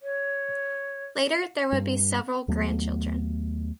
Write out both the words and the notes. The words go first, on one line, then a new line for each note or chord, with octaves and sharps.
Later there would be several grandchildren.
C#5
G2
D#2 F#3 A3 B3